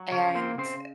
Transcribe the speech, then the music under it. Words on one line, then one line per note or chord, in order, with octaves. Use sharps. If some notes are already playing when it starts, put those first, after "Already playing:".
and eh,
Already playing: F#3
C#3 C#4 C#5
A#3 C4 C5
C#3 C4 C5